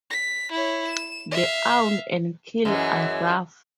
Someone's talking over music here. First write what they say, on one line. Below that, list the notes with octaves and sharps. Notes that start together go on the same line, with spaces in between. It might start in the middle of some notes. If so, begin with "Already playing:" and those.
The awn and keel are rough.
B6
E4 C#5
E7
E5 F5
F#2 E3 G#3